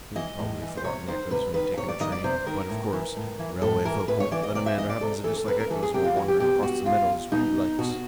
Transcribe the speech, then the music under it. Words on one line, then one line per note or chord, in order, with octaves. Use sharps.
He'd probably forgotten the echoes when he'd taken the train; but, of course, the railway folk won't let a man who happens to dislike echoes go wandering across the metals where he likes.
E3 D#5
A2
E3
C5
C3 C#5
D#3 C5
C3 B4
D#3 B4
C3 C#5
D5
D#3 D#5
D5
C3 C5
D#3 A#4
A2
E3
A2
E3
A2 A4
E3 A#4
A2 B4
C#5
E3 D5
D#5
C3 D5
E5
E3 D#5
D5
C3 A4
E3 A4
A4
C3 B4
A#4
E3 A4
G#4
C3 G4
F4
E3 F#4
G4
B2 G4
F#4
B2 F4
B2 D#4
B2 F#4